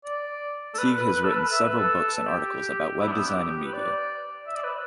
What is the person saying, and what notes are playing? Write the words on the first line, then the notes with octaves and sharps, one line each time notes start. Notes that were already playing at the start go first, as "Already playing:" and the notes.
Teague has written several books and articles about web design and media.
D5
A4
B4
B4
B4
A4
B4
E5
B4
A4
G4
E4
D4
B3
G4
B4
D5
E5
D5
B4